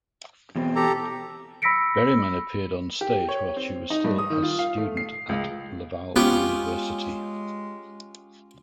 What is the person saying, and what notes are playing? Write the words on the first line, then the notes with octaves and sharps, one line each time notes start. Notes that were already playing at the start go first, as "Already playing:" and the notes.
Berryman appeared on stage while she was still as student at Laval University.
E2 B2 C4
G4 A4 A#5
B5 E6 A#6 B6 C#7 D7
G4
C#5
C4
D#4
G2
D#6
D#3
F4
F5
A3
C7
C#2
G#3 B3 C#4 F4 G4